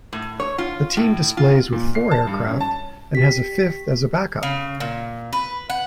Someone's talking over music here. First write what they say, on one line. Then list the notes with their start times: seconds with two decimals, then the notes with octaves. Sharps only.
The team displays with four aircraft and has a fifth as a backup.
0.13 A2
0.40 C#5
0.58 F4
0.97 A2
1.37 F4
1.73 A#2
1.95 C7
2.11 A5
2.27 G2
2.47 C#4
2.61 A5
3.15 G4 B6
4.43 C#3
4.80 A#2
5.33 B4
5.70 F#5